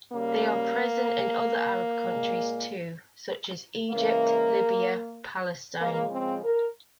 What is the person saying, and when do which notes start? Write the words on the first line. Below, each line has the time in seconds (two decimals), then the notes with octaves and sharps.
They are present in other Arab countries too, such as Egypt, Libya, Palestine.
0.11 C#3 G3 A#3
2.02 A#2 G#3
3.91 C#3 E3 G#3 A#3
5.80 C#3 F3 G#3 A#3
6.12 C4
6.44 A#4